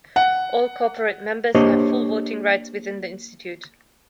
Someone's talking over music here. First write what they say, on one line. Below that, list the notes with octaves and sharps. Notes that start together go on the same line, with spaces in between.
All corporate members have full voting rights within the Institute.
F#5
A#3 D4 G4 C5 C#5 D#5